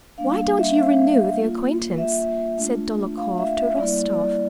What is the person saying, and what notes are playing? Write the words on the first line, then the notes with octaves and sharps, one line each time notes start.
"Why don't you renew the acquaintance?" said Dolokhov to Rostov.
G3 A#3 D4 F5
F5
E5
F5
A#3 F4
E5
A3 D4 F4
F5
E5
E5
G3 A#3 E4 D5
D5